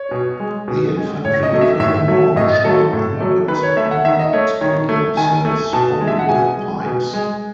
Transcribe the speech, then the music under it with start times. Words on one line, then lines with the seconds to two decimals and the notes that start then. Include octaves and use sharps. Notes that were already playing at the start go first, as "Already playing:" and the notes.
The infantry, furthermore, was short on weapons and many armed themselves only with pikes.
Already playing: C#5
0.11 B2
0.40 G#3
0.68 B2
0.96 G#3
1.25 A2 C#5
1.43 D#5
1.53 F#3 A3
1.61 E5
1.80 A2 E5
2.08 F#3 A3
2.36 A2 D#5
2.64 F#3 A3 A4
2.93 A2
3.21 F#3 A3
3.48 D#3 B4
3.63 C#5
3.77 A3 E5
3.91 F#5
4.05 D#3 E5
4.19 D#5
4.33 A3 C#5
4.61 D#3 C#5
4.89 A3
5.17 D#3 G#5
5.45 A3
5.73 B2 A5
6.01 G#3
6.08 E5
6.19 F#5
6.29 B2 G#5
6.57 G#3
6.86 B2
7.13 G#3